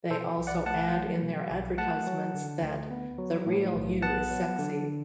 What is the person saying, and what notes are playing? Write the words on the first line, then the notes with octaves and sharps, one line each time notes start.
They also add in their advertisements that The real you is sexy.
B2 A4 C5
B1
D5 F#5
A3 F#5 A5
F#3
B2
B1
A3 F#5 A5
F#3
D3
D2
B3
F#3
A2
B1
B3 F#5 A5
F#3
D3